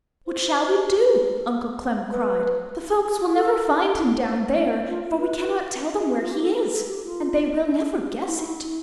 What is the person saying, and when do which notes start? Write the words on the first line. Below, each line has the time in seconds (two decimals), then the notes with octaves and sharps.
"What shall we do?" Uncle Clem cried, "The folks will never find him down there, for we can not tell them where he is, and they will never guess it!"
0.27 C5
2.11 B4
3.34 A4
4.58 D4
4.88 F4
5.19 B4
6.21 F4
6.31 G4
6.42 A4
6.58 B4
6.73 A4
6.88 G4
7.03 F4
8.26 E4